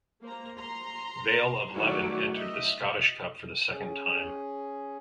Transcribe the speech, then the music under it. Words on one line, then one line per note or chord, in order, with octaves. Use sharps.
Vale of Leven entered the Scottish Cup for the second time.
A#3 C5 A#5
A#5 C6
D#3 F#3 A3 E4 F#4 D5
D#5 E5
C#4 G#4